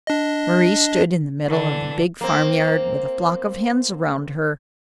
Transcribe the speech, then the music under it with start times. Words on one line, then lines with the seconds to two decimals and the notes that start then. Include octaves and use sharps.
Mari stood in the middle of the big farm-yard with a flock of hens around her.
0.07 D4 D#5
1.48 D3 E3 D4
2.21 A#3 C4